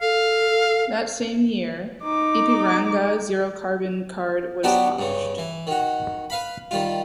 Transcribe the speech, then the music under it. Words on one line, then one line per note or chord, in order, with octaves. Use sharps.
That same year, Ipiranga Zero Carbon Card was launched.
A4 F5
D#4 D6
F#3 B3 D4 F#4 G4 D5
G2 C#3
E3
D#3 F#4
B4 F5 B5
D#3 G3 F4